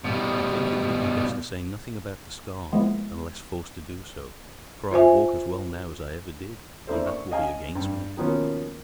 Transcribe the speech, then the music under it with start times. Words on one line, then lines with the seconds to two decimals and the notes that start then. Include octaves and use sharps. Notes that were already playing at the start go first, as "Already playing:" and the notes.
"I think it would be best to say nothing about the scars, unless forced to do so, for I walk as well now as I ever did, and that will be against me."
0.04 B2 G3
2.72 F3 G#3 A#3 B3 E4
4.91 F4 C5 E5 G#5
6.87 A#3 D4 E4 A4 A#4 C5
7.07 C#6
7.32 D#5 F5 G#5
7.75 G2
8.17 B2 D#3 F3 A#3 B3 C#4